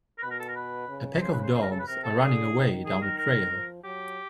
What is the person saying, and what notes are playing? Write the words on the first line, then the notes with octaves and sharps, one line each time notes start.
A pack of dogs are running away down a trail.
A#4
B2 B4
A#4
A4
A#4
B4
C#3
C#3 C5
B4
C5
C#3 C5
A#4
A4
B4
C3 A#4
A4
D3 G#4
D#3
G#4
A#4
A#4
F3
F#3 G4